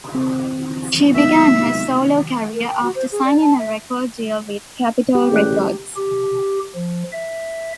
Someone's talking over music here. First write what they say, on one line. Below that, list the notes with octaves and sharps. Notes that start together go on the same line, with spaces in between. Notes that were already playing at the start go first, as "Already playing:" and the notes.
She began her solo career after signing a record deal with Capitol Records.
C4
B3 D#4 E5
A#4
G5
F#4
C5
G#4
D5
A5
E5
G4
A1 G#4 D5 F#6
G4
F3
E5